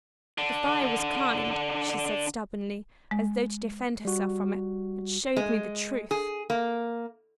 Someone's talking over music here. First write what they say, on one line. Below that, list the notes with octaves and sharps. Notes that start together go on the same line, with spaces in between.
"The fire was kind," she said, stubbornly, as though to defend herself from it. "It showed me the truth."
D3 D4
G#3
G3 F#4
G#3
G#4
A#3